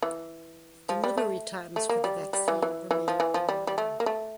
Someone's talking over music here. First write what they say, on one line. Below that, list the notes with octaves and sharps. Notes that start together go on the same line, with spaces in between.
Delivery times for the vaccine remain unknown.
E3
F3
G3
A3
A3
A#3
G3
G3
E3
E3
E3
F3
E3
F3
G3
G3
A3
A#3
A3